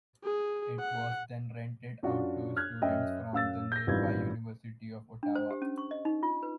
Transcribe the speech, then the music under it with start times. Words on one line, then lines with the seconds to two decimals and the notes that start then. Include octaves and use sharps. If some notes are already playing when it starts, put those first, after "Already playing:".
It was then rented out to students from the nearby University of Ottawa.
0.24 G#4
0.79 F#5
2.03 F#2 D4 F4 F#4
2.56 F6 F#6 G#6
2.82 F#2 D#5 E5 G5
3.33 F#2 F5 E6 A6
3.72 G6 A#6
3.87 G#1 F#2 E3 G3 F4 G#6
5.23 D4
5.35 C5
5.51 G4
5.62 C#4
5.78 C#6
5.91 D#5
6.05 D#4
6.23 F4
6.43 B4